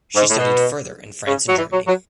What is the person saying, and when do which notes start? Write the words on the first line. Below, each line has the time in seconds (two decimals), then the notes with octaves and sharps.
She studied further in France and Germany.
0.15 G#2
0.29 A2
0.37 B2
1.27 C#3
1.48 F#3
1.57 E3
1.72 F#3
1.87 F#3